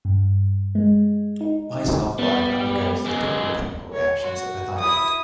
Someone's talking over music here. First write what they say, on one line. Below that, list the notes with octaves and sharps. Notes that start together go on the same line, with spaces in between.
Bisulfide undergoes the typical chemical reactions of a thiolate.
G2
G#3
D#4
G3 B3
F#2 G#3
C#5
F#4
E4 D#6